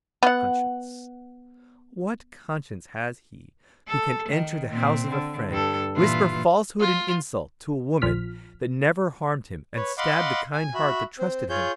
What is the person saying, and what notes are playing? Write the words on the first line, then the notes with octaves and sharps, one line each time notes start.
Conscience! what conscience has he, who can enter the house of a friend, whisper falsehood and insult to a woman that never harmed him, and stab the kind heart that trusted him?
B3 F#5
A4
D#3
A#2 C4
D3
G2 A4
A#2 E3 F4
F4
A#1 F3 F6 B6
B4 C#5
D#5 F5 F#5 B5 C6 D6
G#5
F#4 E5 B5
C4 C5
F4 G#4 C#5 G6